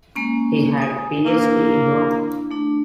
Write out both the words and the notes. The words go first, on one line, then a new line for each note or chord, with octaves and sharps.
He had a PhD in law.
G#3 A#3 C#4
G#5 D#6
A#3 D4 E4
A3 D4